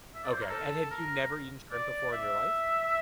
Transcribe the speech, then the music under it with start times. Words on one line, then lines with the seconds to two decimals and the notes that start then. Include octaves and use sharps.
Okay, and had you never eaten shrimp before in your life?
0.15 E5
0.24 D5
0.32 C5
0.41 A#4
0.50 A4
0.91 A#4
1.72 D5
2.12 E5